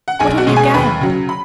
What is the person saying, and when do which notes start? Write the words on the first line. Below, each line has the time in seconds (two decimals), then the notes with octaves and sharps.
What have you gained?
0.08 F#5
0.19 B1 G#4 G#5
0.38 F#4 F#5
0.47 B2 G#3
0.56 G#4 G#5
0.74 D#2 B4 B5
1.01 C#3 F#3
1.29 B5